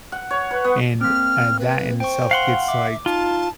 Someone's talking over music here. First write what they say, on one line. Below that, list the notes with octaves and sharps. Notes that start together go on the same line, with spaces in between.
And, uh, that in itself gets, like,
F#5
C#5
B4
B3
A#3 C4 F6
B4
C5 G5 C#6
F5 F#5 C6
E5 D6
D#4 F4 A5